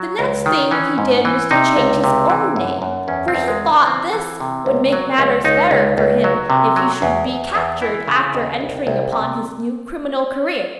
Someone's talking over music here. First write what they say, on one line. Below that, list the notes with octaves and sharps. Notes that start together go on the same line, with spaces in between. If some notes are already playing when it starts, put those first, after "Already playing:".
The next thing he did was to change his own name, for he thought this would make matters better for him if he should be captured after entering upon his new criminal career.
Already playing: F#3
C#2
D#3
E3 C#4
G#2
E3
C3 D#4
C#2
C3
E3
F#2
F#2
E2 C#4
C4
E2
G#3
C#3
E3 C4
E3
C3
C#2
F#3
C#2
C#2 D#4
C#2
C#2
F#3
C3
F#3
E2
E2
E2
E3 E4
C#3
D#2
C2
C2
C3